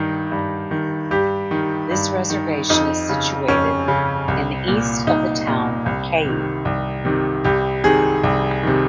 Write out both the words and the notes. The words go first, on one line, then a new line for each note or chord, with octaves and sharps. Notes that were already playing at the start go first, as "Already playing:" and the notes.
This reservation is situated in the east of the town of Cayey.
Already playing: G2 D#3
G2
D#3
G2 G4
D#3
G2
D#3
F2 D#4
C#3
F2 C#4
C#3
C2
A#2
C2 D#4
A#2
C2
C3 D#3
C2
C3 D#3
C2 G4
C3 D#3 G#4
C2
C3 D#3